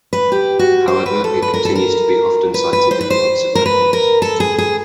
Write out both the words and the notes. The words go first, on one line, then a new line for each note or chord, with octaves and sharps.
However, it continues to be often cited in works of reference.
B4
G4
F#4
C5
B4
A4
B4
A#4
A4
A#4
B4
B4
C5
B4
C5
A#4
B4
A#4
A4
G#4
G#4